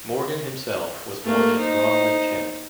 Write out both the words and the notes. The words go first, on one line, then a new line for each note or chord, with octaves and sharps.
Morgan himself was born in Bromley, Kent.
A3 A#3
D#4 C5